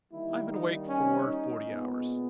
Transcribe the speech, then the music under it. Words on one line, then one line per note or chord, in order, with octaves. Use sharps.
"I have been awake for forty hours."
D#3 G3 A#3 E4
D#4
C#4
D#4
A#2 G#3 B3